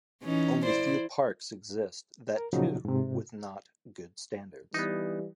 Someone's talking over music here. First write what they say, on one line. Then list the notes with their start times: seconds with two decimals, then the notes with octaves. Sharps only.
Only few parks exist that too with not good standards.
0.23 E3 C#4 D#4
0.66 E4 C5 D5
2.37 A#4
2.53 A#2 C#3 F3 F#3 D#4 F#4
2.85 G#2 C3
4.74 E3 G3 B3 D#4